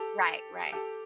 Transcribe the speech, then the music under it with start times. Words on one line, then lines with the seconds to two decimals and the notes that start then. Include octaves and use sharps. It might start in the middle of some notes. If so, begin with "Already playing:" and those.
Right, right.
Already playing: G4 A4
0.72 G4 A4